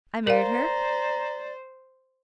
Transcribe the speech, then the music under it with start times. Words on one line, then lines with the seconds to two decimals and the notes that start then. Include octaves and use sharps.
I married her.
0.27 A#4 C5 D5 F5 A#5